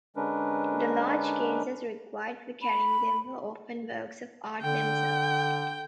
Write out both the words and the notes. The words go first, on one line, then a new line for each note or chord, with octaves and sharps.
The large cases required for carrying them were often works of art themselves.
D3 G#3 C#4 D4 A#4 B4
B5
D3 G5